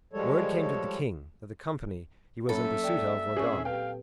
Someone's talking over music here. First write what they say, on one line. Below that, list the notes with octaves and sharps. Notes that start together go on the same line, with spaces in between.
Word came to the king that the company he was in pursuit of were gone.
F3 G3 G#3 A4 C#5
F#3 A#3 C#4 A4 E5 B5
D5 G5
A#2 C4 C#4 G#4 C#6
G4 B4 F5 G5